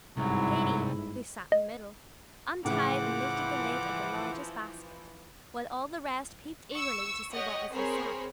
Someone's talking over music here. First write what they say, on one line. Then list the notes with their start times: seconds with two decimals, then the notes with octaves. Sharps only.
Katy, who sat in the middle, untied and lifted the lid of the largest basket, while all the rest peeped eagerly to see what was inside.
0.17 G1 C2 G#2 F#3 E4
1.52 D#5
2.65 A2 C#3 E3 F3 F#5 D6
6.74 C#6 E6
7.33 G4 C#5 D#5 F#5
7.70 C4 G#4 A#4 C5 C#5 B5